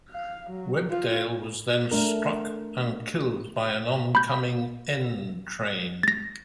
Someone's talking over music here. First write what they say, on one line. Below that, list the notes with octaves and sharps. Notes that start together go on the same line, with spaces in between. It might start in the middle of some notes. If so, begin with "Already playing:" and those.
Webdale was then struck and killed by an oncoming N train.
F5
F#3
F4
A3 D4 A#4
B5 G6
A6 A#6